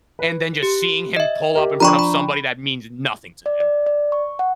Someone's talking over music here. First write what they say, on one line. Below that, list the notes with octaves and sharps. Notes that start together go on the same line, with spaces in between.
and then just seeing him pull up in front of somebody that means nothing to him.
B4
G4
D#5 E5
G4 A#4
F3 D4 G5 A#5 B5 C#6
B5
D5
D5
D5
C#6
F#5